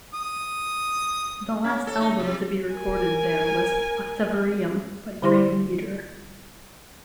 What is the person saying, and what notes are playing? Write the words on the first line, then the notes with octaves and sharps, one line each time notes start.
The last album to be recorded there was "Octavarium" by Dream Theater.
D#6
C#4
A4
D#4
C3
A#4 G#5
D3 G3 E4 G4 C5 C6